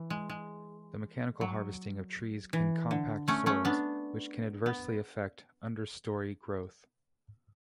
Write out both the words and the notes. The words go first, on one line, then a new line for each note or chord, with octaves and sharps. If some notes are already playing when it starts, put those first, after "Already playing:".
The mechanical harvesting of trees can compact soils, which can adversely affect understory growth.
Already playing: E3
G#3
G#3
F#3
E3
D3
A3 C#4
A3 C#4
B3 D4
B3